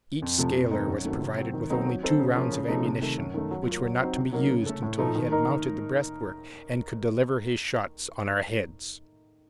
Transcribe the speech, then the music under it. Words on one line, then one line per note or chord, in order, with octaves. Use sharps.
Each scaler was provided with only two rounds of ammunition, which were not to be used until he had mounted the breastwork and could deliver his shots on our heads.
F2
C3 F3 A3
F2
D#3 A3 C4 D#4
F#2
D#3 A3 C4 F#4
C3
F#3 C4
D#3
F#3 A3 C4 D#4
F#3
C4 D#4 A4 C5
C#3
F3 A#3 C#4 F4
C#3
F3 A3 D#4
C3
D#3 A3
F#2
D#3 A3
F#3
A#3 F4
F#3
C4 D#4 F#4 C5
C3
F#3 A#3 D#4 A#4
C#3
A3 C#4 A4
A2
F3 A3 D#4
D#3
A#3 D#4 A#4 D#5